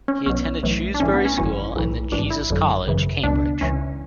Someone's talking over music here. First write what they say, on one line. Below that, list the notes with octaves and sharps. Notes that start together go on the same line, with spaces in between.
He attended Shrewsbury School and then Jesus College, Cambridge.
C#4
B1 B2 C#4
B1 A2 E3
D4
B1 A2 E3 C#4
B3
C#4
G#1 F#2 E3 C#4
B1 A2 E3
A1 G#2 E3 D4
E4
G#1 F#2 D3
G#1 F#2 C#3 E3
C#2 B2 D4
C#2 C#3 E3 C#4